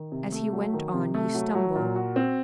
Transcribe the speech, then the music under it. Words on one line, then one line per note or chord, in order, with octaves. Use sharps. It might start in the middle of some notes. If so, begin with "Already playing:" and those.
As he went on he stumbled.
Already playing: D#3
C3
A3
F#3
D#3
C3
A3
F#3
F#3
A#2
F#4
C4